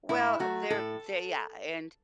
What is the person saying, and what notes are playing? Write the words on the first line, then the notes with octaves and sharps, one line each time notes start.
Well, they're they yeah, and,
A2 E4
F#3 A3 F#4
A2 A4